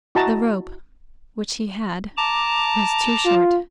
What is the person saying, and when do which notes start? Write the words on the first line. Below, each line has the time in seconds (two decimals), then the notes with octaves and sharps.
The rope which he had was too short.
0.15 E4 F#4 D#5 A5 A#5
2.17 A5 A#5 D6
3.25 F4